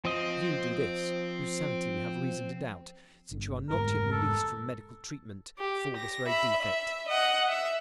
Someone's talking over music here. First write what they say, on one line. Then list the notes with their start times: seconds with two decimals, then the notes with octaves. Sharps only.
You do this, whose sanity we have reason to doubt, since you are not yet released from medical treatment for this very defect.
0.05 F3 C4 D#5
3.31 G1
3.70 F1 G#2 A#4
4.12 A4
5.59 G4
5.97 A#6
6.27 E5 B5
6.62 E5
7.09 D#5 F#5
7.49 E5